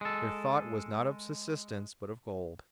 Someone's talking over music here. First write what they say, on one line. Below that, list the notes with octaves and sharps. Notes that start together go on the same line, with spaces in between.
Their thought was not of subsistence, but of gold.
G#3 A4